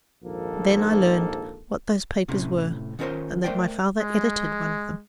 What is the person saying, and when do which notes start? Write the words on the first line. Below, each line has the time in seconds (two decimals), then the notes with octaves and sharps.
Then I learned what those papers were, and that my father edited one of them.
0.24 A#1 D#2 G#2 F3 A#3 A4
2.28 A2 C3 C#4
2.99 D#3 C#4 F4 A#4 C5 C#5
3.44 A3 A#4 C5 D5 G5
4.00 G#3